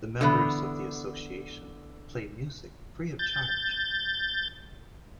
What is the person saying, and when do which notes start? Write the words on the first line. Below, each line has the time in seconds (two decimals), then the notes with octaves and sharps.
The members of the association play music free of charge.
0.21 D3 E3 B3
3.19 G6 A6